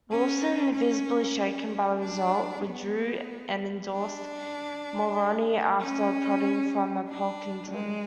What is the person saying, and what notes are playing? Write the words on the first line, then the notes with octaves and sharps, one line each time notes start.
Wilson, visibly shaken by the result, withdrew and endorsed Mulroney after prodding from Pocklington.
C#4
C#4
C#4
D4
B3
D4
C#4
D4
G#3